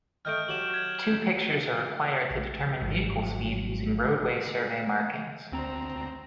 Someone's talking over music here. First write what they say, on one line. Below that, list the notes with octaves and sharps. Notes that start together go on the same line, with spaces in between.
Two pictures are required to determine vehicle speed using roadway survey markings.
A3 D#5 G5 F6 G6 D7
F#3 F#4 G4 E7 F#7
G#6
A#1
G#1 G#2 F3 F#3
D2 C4 A#5